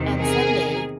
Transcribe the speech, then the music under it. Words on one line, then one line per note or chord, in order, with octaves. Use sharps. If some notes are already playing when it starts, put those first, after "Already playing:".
on Sunday
Already playing: E2 C3 D#3
G#4 A#4